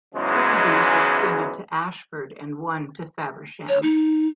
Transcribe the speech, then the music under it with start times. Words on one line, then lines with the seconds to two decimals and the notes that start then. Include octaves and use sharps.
Two of these were extended to Ashford and one to Faversham.
0.15 E2 G#2 C#3 E3 F#3 G#3
3.68 C#5
3.83 D#4